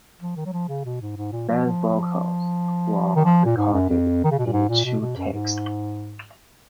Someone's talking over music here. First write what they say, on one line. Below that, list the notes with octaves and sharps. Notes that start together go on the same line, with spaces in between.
Plant's vocals were recorded in two takes.
F3
D#3
F#3
F3
C#3
B2
G#2
G#2
A#2
F3
F3
D#3
F3
A#2
G#2
F#2
F2
D#3
C#3
B2
A#2
G#2
A#2
B2
B2
F#2
G#2